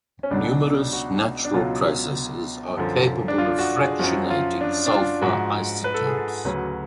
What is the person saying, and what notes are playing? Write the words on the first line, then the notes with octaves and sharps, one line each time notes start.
Numerous natural processes are capable of fractionating sulfur isotopes.
C#4
C#2 B2 F#3 D4
F#4
D4
C#2 B2 F#3 F4
F#2 D3 F3
D4
F4
F#4
G#4
F#2 F3 F#4
F4
D4
D4
F4
G#2 F3 F#4
B4
A4
G#4
A4
D2 C#3 F#3 B4